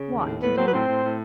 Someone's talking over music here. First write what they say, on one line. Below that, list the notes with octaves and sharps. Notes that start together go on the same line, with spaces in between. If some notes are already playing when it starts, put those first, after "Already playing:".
"What to do?"
Already playing: C#3
D#2
A2
A2 B3 B4
F#3 C4 C5
B4
A2 C4 C5
A2
A2